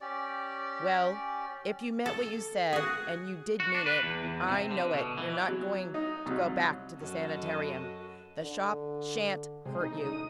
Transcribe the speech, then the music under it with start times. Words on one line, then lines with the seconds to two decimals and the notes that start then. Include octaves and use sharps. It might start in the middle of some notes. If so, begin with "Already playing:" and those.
Well, if you meant what you said--and you did mean it, I know it!--you're not going to go back to the sanitarium. The shop sha'n't hurt you.
0.01 C#4 G4 D5
2.06 A4
2.73 F#4 G#4
3.60 F#4
3.75 D4
3.86 B4
4.03 E2
4.24 E2
4.48 C3
4.71 D3
4.93 B2
5.18 E3
5.48 F#3
5.94 D#4
6.26 C2 F#3
6.99 F#2 F#4 A4 D#5
8.43 D3
9.65 C3 G#3 C4
9.80 D#4 D#5
9.92 A3
10.05 D2 D#6